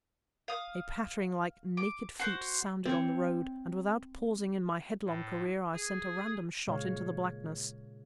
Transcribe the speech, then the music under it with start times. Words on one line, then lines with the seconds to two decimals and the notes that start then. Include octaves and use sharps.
A pattering like naked feet sounded on the road, and, without pausing in my headlong career, I sent a random shot into the blackness.
0.48 F5 D#6
1.77 D6
2.20 F#4 C5
2.85 C4 C#5
5.06 A2
5.73 G#4
6.68 A#2 C#3 G#3 F4 C#5 F5